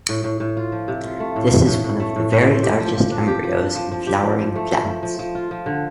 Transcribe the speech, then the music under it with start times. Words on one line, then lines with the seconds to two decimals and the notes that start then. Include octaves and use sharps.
This is one of the very largest embryos in flowering plants.
0.09 A2
0.24 A2
0.40 A2
0.57 F4
0.72 F3
0.88 C3
1.04 F4
1.20 A3
1.36 A2
1.52 A2
1.67 A2
1.84 A2
2.00 A3
2.16 A2
2.32 A2
2.47 C4
2.63 G4
2.80 F3
2.96 F3
3.11 D4
3.28 G4
3.44 F3
3.60 D4
3.75 F3
3.92 F3
4.07 G4
4.23 F3
4.39 F3
4.56 A3
4.71 F3
4.87 F3
5.03 F3
5.19 F3
5.35 F4
5.51 F3
5.66 D3